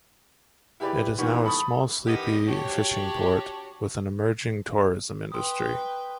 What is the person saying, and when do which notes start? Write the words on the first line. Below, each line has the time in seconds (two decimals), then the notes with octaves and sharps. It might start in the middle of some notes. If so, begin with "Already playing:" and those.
It is now a small sleepy fishing port with an emerging tourism industry.
0.80 E4 G4 G#4 B4 D5
1.18 A#2 D#3 E3 G3 B3 C#6
1.45 A4 B5 C#6 D#6
2.07 E2 D#3 B3 G4 D#5
2.47 D4 F#4 G4 C#5
5.32 B4 G5 C6 D#6